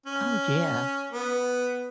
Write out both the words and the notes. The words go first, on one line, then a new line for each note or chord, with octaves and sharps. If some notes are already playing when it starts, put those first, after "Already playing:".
Oh, yeah.
C#4
B3